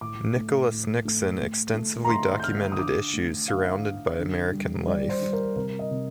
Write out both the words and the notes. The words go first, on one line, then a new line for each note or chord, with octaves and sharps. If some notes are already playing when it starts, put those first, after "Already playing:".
Nicholas Nixon extensively documented issues surrounded by American life.
A2 D6
A3
A2
A3
A3
A3
A#5
A3 C6
G6
D3 F6
D#6
D3 D6
A3
D3 F5
D3
D3
G3
G3 D5
C5
G3
A#4
C3 A#4
D#5
C3